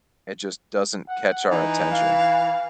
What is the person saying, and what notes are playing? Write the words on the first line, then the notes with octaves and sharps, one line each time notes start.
it just doesn't catch our attention,
F#5
E3 D#4
F5